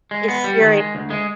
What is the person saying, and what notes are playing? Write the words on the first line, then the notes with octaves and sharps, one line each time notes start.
is serious
G#3
B3
G3
D#3
G#3
D2
G#3